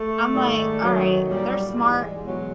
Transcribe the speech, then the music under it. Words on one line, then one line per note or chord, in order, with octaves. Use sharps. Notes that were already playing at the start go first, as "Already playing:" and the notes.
I'm like, "All right, they're smart
Already playing: A3
G#2 D#3 G3
F#2 D#3 F#3
A#2 G3
G#2 E3 G3 G#3
G3
G#3
E2 B2 F#3